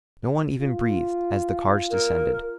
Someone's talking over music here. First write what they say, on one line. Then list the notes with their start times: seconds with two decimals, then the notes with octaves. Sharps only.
No one even breathed as the cards descended.
0.60 F4
1.91 A#4